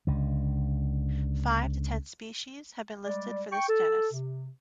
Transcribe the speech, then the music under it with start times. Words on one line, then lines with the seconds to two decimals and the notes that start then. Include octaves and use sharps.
Five to ten species have been listed for this genus.
0.07 C#2 D3
3.05 G3 G#3 D5
3.52 G5 C#6
3.68 A4
4.12 C3